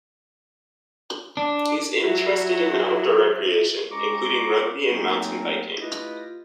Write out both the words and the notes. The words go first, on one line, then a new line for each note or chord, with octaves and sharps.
He is interested in outdoor recreation, including rugby and mountain biking.
D4
F#3 E4 F#4 E5
G#3 C#4 G4 A#5 C#6 D6
F#3 A3 A#3 C4 C#4 D#4
A3 E4 F4 G4 B4 D#5